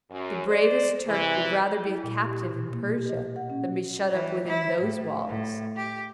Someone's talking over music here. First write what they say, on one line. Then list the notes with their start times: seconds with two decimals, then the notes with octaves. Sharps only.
The bravest Turk would rather be a captive in Persia than be shut up within those walls.
0.11 F#2
0.47 C5 D5
1.07 C3 E3
1.85 E4
2.03 A#2
2.24 G4
2.49 B2
2.73 A#3
2.95 G4
3.09 D#5
3.36 F#5
3.50 C#4
4.13 E3
4.46 E4
4.81 A2
5.27 A2
5.76 G4